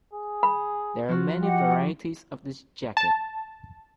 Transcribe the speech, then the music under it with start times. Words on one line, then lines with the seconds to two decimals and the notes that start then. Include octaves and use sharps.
There are many varieties of this jacket.
0.14 G#4
0.43 B5
1.09 F3 F4 F#4
1.43 G4 D#5 F#5
2.97 A5